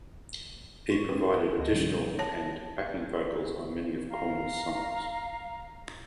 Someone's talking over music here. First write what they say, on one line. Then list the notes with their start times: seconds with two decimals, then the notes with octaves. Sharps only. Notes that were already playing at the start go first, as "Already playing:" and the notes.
He provided additional and backing vocals on many of Korner's songs.
0.90 C6 C#6
1.08 C#4 G4 B4
1.32 E4
1.58 D2 A4 D#5 A#6
1.72 C3 D#3 F3 G3 C#4 G6
2.19 C#5 A5
4.09 F5 A#5